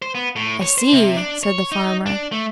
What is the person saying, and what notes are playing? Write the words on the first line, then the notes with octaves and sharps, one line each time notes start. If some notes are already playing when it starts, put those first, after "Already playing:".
"I see," said the farmer.
C5
B3
A2
C#5
C5
C3
D4
C#5
D#4
D4
A3